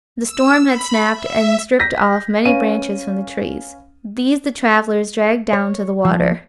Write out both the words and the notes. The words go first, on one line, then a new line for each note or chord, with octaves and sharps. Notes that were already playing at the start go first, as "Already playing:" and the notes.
The storm had snapped and stripped off many branches from the trees. These the travellers dragged down to the water.
E6
B5
E5
G6 A#6 B6
C#4 B4 F5 D#7
C#5
F3